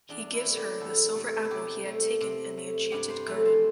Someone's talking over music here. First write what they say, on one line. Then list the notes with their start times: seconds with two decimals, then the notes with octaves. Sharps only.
He gives her the silver apple he had taken in the enchanted garden.
0.09 E2 D4
0.34 E4
0.44 C3 A3
0.57 G4
0.80 E2 A4
1.15 C3 A3 A4
1.45 E4
1.50 C3 G4
1.85 A3
2.21 C3
2.57 A3
2.92 G2 G4
3.10 C5
3.27 E3 A3 A4
3.45 C5